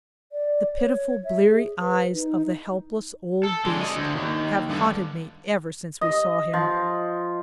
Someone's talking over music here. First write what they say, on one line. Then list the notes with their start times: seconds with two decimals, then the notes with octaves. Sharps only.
The pitiful bleary eyes of the helpless old beast have haunted me ever since we saw him.
0.32 D5
0.76 C#5
1.24 E5
1.43 G#4
1.80 B4
2.13 D#4
3.44 A4
3.65 D3 G#3
3.81 A4 D#5
3.97 D2
4.16 D#2
4.69 G2 D3
6.01 D#5
6.54 F3